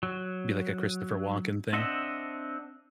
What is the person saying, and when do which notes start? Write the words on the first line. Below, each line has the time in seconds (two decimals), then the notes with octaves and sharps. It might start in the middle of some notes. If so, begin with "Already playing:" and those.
be like a Christopher Walken thing.
0.03 F#3
1.73 C4 D4 D#5 E5 F#5